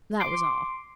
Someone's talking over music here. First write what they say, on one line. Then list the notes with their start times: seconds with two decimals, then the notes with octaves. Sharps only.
That was all.
0.20 C6 D6